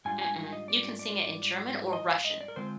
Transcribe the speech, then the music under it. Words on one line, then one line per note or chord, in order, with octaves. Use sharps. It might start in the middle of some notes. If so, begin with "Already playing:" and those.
Mm-mm, you can sing it in German or Russian,
G#2 G3 D4 F4 G#5
G#5
G#5
D#5
D5
D5
D#5
F5
D#5
D5
A#4
D3 G#3 C4 F4 C5